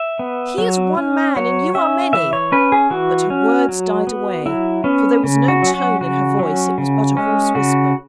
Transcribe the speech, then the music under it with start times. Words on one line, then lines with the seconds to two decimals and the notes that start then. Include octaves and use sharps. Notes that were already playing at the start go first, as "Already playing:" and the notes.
He is one man, and you are many; but her words died away, for there was no tone in her voice; it was but a hoarse whisper.
Already playing: E5
0.19 B3
0.58 F#3
0.97 C#4
1.36 F#3 C#5
1.75 C#4 E5
2.13 E3 E5
2.33 C#5
2.52 C#4 B4
2.72 G#4
2.90 E3 F#4
3.30 C#4
3.69 F#3
4.07 B3
4.46 F#3 E4
4.84 B3 C#4
5.24 C#3
5.48 F#4
5.62 F#3 C#4
5.74 F#4
6.01 C#3 F#4
6.39 F#3 C#4
6.78 C#3
7.17 G#3 C#4
7.55 C#3 F#4